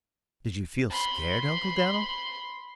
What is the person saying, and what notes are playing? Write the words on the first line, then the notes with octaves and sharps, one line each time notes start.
"Did you feel scared, Uncle Dan'l?"
B5 C6